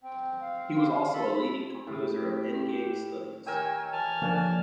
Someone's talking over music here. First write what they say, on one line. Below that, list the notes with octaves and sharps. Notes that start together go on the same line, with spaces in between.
He was also a leading composer of endgame studies.
C4 G5
F5
A4 B5
A2 G4
D#3 G4 A#4 C#5 G5 G#5 E6
A#2 E3 G#5 A5 F6
D3 F3 A#3 C#4 D4 D5